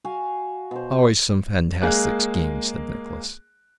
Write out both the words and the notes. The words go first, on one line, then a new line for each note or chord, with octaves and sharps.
"Always some fantastic schemes," said Nicholas.
F#4 F5 G#5
B2 C5
G#3 A#3 G#4 F#6